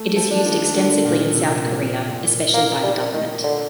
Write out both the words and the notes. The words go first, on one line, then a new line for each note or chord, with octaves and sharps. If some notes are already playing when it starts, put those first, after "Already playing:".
It is used extensively in South Korea, especially by the government.
Already playing: A3
F3
D4
D#3
D3
A#2
C3
A#2
A#2
A#3
G3
D#3
D3